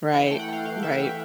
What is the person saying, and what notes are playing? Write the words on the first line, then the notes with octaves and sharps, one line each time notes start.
Right, right.
E3 G#5
A3 G5
F#5
A3 F5
E3 F5
E3 E5
E3 E5